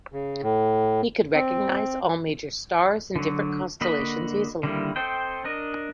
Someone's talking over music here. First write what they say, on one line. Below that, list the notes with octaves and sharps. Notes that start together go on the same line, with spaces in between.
He could recognise all major stars and different constellations easily.
C#3
A2
C4
D3 F#3
D3 A#3 F#4 D#5 B5
D3 D#3 G3 A#3 E4
C4 A4 C5 D#5 G5
D4 A#4 D#5